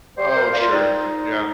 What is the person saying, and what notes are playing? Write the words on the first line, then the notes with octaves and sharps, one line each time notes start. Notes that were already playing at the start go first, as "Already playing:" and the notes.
Oh, sure. Yeah.
G3 C5
C5
A#3
C5
A#2 F4
G3 D#4